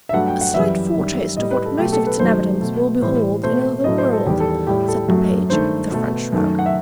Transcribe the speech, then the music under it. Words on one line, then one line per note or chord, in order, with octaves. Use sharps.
"A slight foretaste of what most of its inhabitants will behold in another world," said the page, with a French shrug.
E5
G2 F#3 A3 F#5
G5
F#5
F#2 E3 G3 E5
F#2 D#3 G3
A2 G3 D#5
B4
A4
B2 F#3 A3 G4
A4
B4
F#2 D#3 F#3 A3 C5
B2 A3
A2 E3 G3 C5
B2 A3 C5
A2 F#3 A3 D#5
C5
A4
E2 D#3 G3 G4
A4
A2 G3 G4
A4
F#2 F#3 A3
G2 D#3 A3 C5
B2 A3
F#2 D#3 A3
F#5
E5